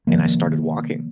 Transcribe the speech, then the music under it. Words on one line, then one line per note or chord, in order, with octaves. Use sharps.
and I started walking.
C3 D#3 F3 A#3